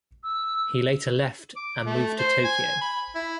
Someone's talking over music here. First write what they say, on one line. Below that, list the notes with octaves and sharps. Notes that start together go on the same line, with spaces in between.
He later left and moved to Tokyo.
E6
D6
A3
C5
G#5
B5
E4